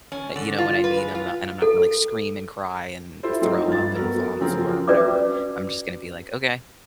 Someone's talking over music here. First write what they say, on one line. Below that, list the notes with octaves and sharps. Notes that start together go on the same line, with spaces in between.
Uh, you know what I mean? I'm not and I'm not gonna, like, scream, and cry, and throw up, and fall on the floor or whatever. I'm just gonna be like, "Okay.
C#4
D3
F4
B4
G#3
F4
A4
E4 F4 G4 A4 C5
F#3 C4 D#4 F4
G2 A6
B3 F#4 A4 A#4
C#3 F3 F#3 C4 A#4
C#4 F#4 B4 D5 E5 D6